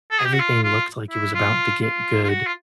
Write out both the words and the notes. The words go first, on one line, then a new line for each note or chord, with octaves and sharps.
everything looked like it was about to get good,
A4
G#4
G4
F#4
F4
F4
E4
F4
F4
F4
F#4
F4